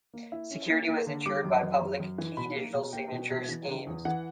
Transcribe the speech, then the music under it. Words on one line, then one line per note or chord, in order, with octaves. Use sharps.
Security was ensured by public key digital signature schemes.
A#3
E4
C#4
A#3
A#3
D3
G3 D6
F#2
F#2
F#2
F#2
E3
B2 B5
A#3
B2
A#3 G5
B2
B2
E3
C#3
E2
E3 F#5